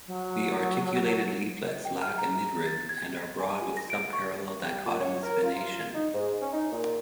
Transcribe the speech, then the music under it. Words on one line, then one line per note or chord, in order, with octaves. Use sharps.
The articulated leaflets lack a midrib, and are broad with subparallel dichotomous venation.
F#3
D#5
G5
F6
A#5
A6
G#6
D#5
G#5
F4
A#6
D7
C#6
G3
A#2
C#5
A#4
F4
F4
D#4
G#2
C#4
D#4
A#2